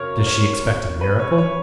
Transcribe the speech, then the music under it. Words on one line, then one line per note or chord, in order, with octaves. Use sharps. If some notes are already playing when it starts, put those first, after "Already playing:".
Does she expect a miracle?
Already playing: F#2 C#3 A#4 C#5
C#5
B4
C#5
C#5